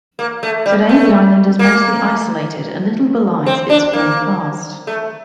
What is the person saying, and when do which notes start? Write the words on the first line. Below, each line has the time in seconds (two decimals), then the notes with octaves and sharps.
Today the island is mostly isolated and little belies its former past.
0.19 A#3
0.43 A3
0.66 G3
0.89 A3
1.59 A#3
3.46 C4
3.70 D4
3.93 A#3
4.87 A3